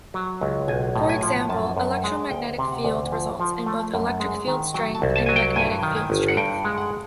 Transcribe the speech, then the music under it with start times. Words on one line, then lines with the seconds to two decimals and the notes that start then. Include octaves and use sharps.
For example, electromagnetic field results in both electric field strength and magnetic field strength.
0.14 F#3
0.41 C#2
0.68 B1 G#5
0.96 A2
1.09 G#5
1.23 F3
1.49 F#2 A5
1.77 F#2
2.04 G#3
2.31 D2 G5
2.58 C3
2.72 F#5
2.85 D2
3.12 F3
3.40 F3
3.66 A3
3.94 F#2
4.20 G#3
4.47 D#3
4.74 F#3 G5
4.95 A5
5.02 C2
5.16 A5
5.26 F#3 G#5
5.36 G5
5.56 G2 G#5
5.83 D#3
5.96 G#5
6.10 G1
6.28 F#5
6.37 G2 G5
6.64 G#3
6.78 F#5